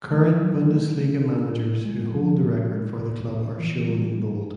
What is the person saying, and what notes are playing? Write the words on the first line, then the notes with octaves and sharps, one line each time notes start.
Current Bundesliga managers who hold the record for the club are shown in bold.
A3
F#3
A3
A3
D4
A3
G#3
F3
A#2
G#3
A#2
A#2
E3
G3
G3